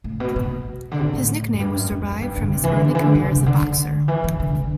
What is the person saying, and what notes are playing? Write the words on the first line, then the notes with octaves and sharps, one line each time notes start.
His nickname was derived from his early career as a boxer.
A2
B2
B2
D3
C3
B2
A2
F#2
G2
F#2
F#2
E2
F#2
G2
D3
C3
E3
D3
C3
E3
D3
D3
C3
C3
D3
D3
E3
E3
D3
D3